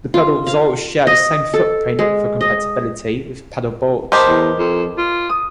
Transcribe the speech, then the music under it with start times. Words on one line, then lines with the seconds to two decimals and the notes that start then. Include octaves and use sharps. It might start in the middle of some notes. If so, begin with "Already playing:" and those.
The pedals all share the same 'footprint', for compatibility with pedal boards.
0.14 F4
0.47 F5
1.07 D#5
1.54 A4
1.99 G#3
2.41 D#5
4.12 G4 A#4 C5 D#5 A5 B5
4.28 E2
4.58 F2
4.98 F4
5.29 D#6